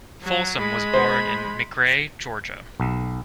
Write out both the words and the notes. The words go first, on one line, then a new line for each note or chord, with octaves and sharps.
Folsom was born in McRae, Georgia.
F#3
G#3 B5
C5
B1